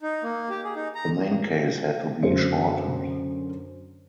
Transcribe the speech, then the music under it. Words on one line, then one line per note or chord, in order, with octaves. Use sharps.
The main case had to be shortened.
D#4
A#3
G4
G#4
D#4
A#5
F#2 D3 F#4 C5 C#7